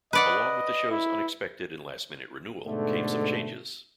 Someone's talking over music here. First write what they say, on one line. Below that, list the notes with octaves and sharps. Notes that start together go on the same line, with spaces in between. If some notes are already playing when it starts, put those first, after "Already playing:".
Along with the show's unexpected and last-minute renewal came some changes.
B4 D5 D#5 F#5
E4
G#2 B2 D3 A3